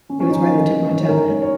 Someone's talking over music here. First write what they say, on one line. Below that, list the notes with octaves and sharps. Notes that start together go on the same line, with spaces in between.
it was right on the tip of my tongue.
D#3 C#4
C#4
G#2 D#4
D#3 A#3
D#3
G#2 C#4
C#5
G#2 A#4
G#2 C#5
C#5